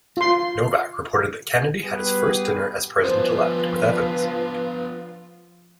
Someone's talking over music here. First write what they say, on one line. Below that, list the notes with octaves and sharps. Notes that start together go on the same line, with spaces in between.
Novak reported that Kennedy had his first dinner as president-elect with Evans.
F4 C6
G3 B3 G4 G#4 B4
F3 B3 D4 F4 B4 C5